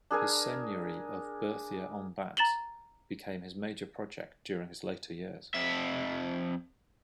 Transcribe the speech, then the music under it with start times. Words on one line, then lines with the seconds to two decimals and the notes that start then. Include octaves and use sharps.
His seigneury of Berthier-en-bas became his major project during his later years.
0.11 D4 G#4 A#4 G#5
2.37 A#5 A6 E7 F#7 G7
5.54 F2 E5